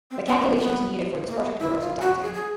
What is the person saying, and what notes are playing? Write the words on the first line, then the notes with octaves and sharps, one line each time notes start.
The calculations needed for this project were also daunting.
C4
B3
A#3
B3
B3
A#3
B3
E4
F4
F#4
G#4
G#4